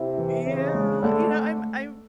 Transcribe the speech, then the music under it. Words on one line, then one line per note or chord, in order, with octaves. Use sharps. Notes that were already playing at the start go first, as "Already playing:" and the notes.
Yeah, you know, I'm I'm
Already playing: C3 E4
E3
C#3 C4
G#3
D3 A3